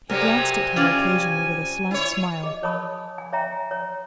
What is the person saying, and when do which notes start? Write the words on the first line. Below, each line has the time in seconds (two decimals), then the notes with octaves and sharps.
He glanced at her occasionally with a slight smile.
0.10 C3 F#3 G3 A#4 G#5
0.76 C#4 F4 D5
1.91 E4 C#5
2.43 G#4 D#5
2.63 A#4 C#5 G#5 A5 B5 D#6
3.18 G#5
3.33 C#5 E5 G5 A#5
3.71 C#5